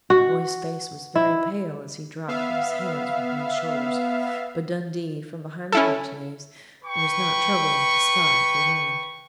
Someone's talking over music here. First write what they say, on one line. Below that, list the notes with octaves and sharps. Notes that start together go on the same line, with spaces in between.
The boy's face was very pale as he dropped his hands from Penny's shoulders, but Dundee, from behind the portieres, was not troubling to spy for the moment.
F#4
E4
B3 E5 F5
C#4 E4 A4
B4 G5 C#6